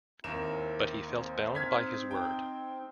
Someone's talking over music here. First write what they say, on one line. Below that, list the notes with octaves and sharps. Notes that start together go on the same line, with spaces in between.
But he felt bound by his word.
D#2 C4 E4 A#4 E7
C4 D#4 C5
F6 G#6 B6
G5